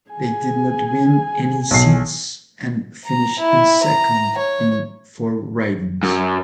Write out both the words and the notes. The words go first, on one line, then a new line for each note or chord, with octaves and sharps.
They did not win any seats and finished in second in four ridings.
G#4 G#5
B1 C7
A#5
E4
A#5
C#5
F#2